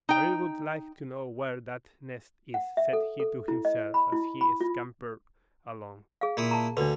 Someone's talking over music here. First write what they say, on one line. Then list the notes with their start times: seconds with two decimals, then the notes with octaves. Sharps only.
"I really would like to know where that nest is," said he to himself as he scampered along.
0.09 D#4 G5
2.54 F#5
2.77 E5
2.93 A4
3.20 A4
3.48 E4
3.65 D#5
3.94 B5
4.13 E4
4.41 B5
4.61 F4
6.21 G#4 F5
6.37 A#2 E4 D#6
6.51 A5 A#5
6.77 D2 D3 D4 B4